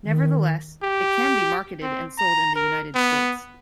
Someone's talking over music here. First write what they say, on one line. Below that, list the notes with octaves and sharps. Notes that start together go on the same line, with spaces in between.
Nevertheless, it can be marketed and sold in the United States.
D#3
G4
C4
A#5
A#4
B3